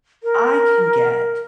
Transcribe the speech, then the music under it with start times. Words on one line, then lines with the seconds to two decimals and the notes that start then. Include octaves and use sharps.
I can get
0.23 A#4